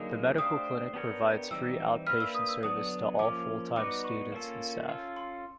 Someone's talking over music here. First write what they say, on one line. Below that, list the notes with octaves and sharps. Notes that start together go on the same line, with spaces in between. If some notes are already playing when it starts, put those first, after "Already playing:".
The medical clinic provides free outpatient service to all full-time students and staff.
Already playing: D3 F#3 A#3 D#4 G#4
A3 D4 G4 C5 F5 D#6
B3 D4 G4 A#4 C#5
E3 G3 C4 D#4 G4 E6
A#3 D4 G4 B4 E5 F6
E6
D#6
E6
D3 F#3 B3 D4 D#6
F3 A#3 C#4 D6
G3 B3 D#4 F#4 B4 D6
C#6
A#3 C#4 F4 A4
C#4 F4 A4
C6